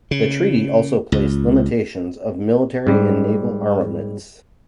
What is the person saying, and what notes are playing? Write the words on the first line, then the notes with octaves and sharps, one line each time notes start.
The treaty also placed limitations of military and naval armaments.
C#3
C#2
G#2 G3